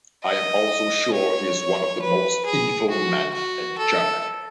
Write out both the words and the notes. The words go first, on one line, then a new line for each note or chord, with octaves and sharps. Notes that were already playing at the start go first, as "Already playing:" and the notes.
I am also sure he is one of the most evil men in Germany.
D#5
C#5
B4
G#4
F#4
F#4
A4